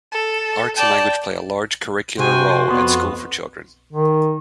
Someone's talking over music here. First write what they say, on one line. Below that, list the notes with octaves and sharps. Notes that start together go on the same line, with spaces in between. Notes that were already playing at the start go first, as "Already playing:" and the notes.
Arts and language play a large curricular role at School for Children.
A4
D5 G5 A5
C3 F#4 G5 G#5 C6
F2 B3
D#3